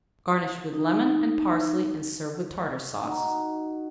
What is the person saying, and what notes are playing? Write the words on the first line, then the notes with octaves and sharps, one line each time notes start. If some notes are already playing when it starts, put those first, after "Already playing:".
Garnish with lemon and parsley and serve with Tartar Sauce.
D#4
D#4 F#4